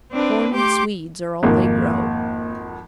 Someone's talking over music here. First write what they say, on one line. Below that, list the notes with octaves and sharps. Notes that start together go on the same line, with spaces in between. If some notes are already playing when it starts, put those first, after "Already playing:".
Corn and swedes are all they grow.
C4 D4 B4
A3 G4 C6 D6 G6
G#1 F2 A#3